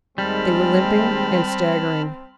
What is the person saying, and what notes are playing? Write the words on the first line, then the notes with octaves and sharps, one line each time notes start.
They were limping and staggering.
D#2 G3 G#3 C4 A5 B5 F6